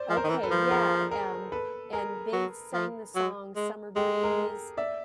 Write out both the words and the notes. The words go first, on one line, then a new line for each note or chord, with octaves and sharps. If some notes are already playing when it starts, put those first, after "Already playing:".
Okay, yeah, um, and they sang the song "Summer Breeze,"
Already playing: C5 D5
F3
A#4 C5
D#3
E3
A4 B4
F3
G#4 A#4
G#4 A#4
A4 B4
G#4 A#4
F#3
F3
F#3
G#3
G#3 G4 A4
G#4 A#4
D5 E5